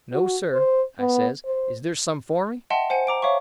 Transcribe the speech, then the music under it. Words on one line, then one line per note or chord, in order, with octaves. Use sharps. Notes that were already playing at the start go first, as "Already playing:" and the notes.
"No, sir," I says; "is there some for me?"
F#4
C5
B3
C5
D#5 E5 F#5 G5 A5 C6
C5 F#5 G#5 C#7
A#5 D6 D7
C#5 E5 F5 C#6